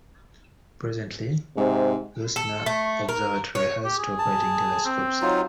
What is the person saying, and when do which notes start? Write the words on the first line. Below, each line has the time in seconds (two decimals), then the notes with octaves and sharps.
Presently, Leuschner Observatory has two operating telescopes.
1.57 G#2 C3
2.36 A4
2.66 A3
3.09 A#4
3.55 C#5
3.85 G4
3.98 G#4
4.19 A5
4.85 C4
5.22 F#3 D#4 F4